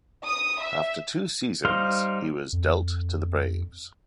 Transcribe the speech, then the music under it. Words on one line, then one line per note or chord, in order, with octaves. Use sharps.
After two seasons, he was dealt to the Braves.
D#6
E5
G3 D#4 C5 F5 C6
F2